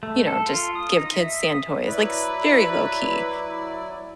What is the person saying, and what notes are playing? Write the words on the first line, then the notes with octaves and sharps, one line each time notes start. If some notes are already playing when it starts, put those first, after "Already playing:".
you know, just give kids sand toys, like, s very low key.
A3
A4
F4
D#6
D#4
E5
D#6
F#3 E4 B4 D5